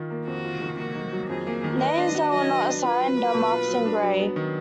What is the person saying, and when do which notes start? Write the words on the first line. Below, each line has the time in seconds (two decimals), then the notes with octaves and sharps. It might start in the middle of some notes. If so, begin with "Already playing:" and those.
Names that were not assigned are marked in gray.
Already playing: D#3 F4
0.10 A#3
0.27 F2 F#4
0.45 F4
0.62 D#3
0.78 A#3 F#4
0.95 D#3
1.13 F#3
1.29 F2 G#4
1.47 A#3
1.64 D#3
1.81 B4 D#5
1.98 D4
2.15 F#4
2.32 F#3 D#5
2.49 B4
2.66 D4
2.83 F4 B4
3.00 F#3
3.17 A#3
3.34 B2
3.51 F4
3.68 F#3
3.85 D4
4.02 F#3
4.19 B3
4.36 D#3